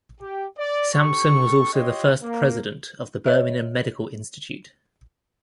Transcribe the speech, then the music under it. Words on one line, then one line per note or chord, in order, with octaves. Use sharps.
Sampson was also the first president of the Birmingham Medical Institute.
G4
D5
G4 A4 C#6
F4 G4 C#5 D#5 C6
A#3
C#5 D#5 E5